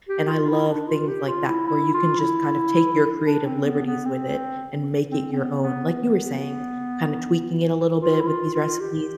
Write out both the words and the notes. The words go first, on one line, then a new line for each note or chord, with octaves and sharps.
and I love things like that where you can just kind of take your creative liberties with it and make it your own, like you were saying, kinda tweaking it a little bit with these recipes,
G4
F4
E4
D4
F4
G4
F4
E4
E4
F4
E4
D4
C4
B3
B3
C4
C4
C4
B3
B3
F4
E4
F4
F4
G4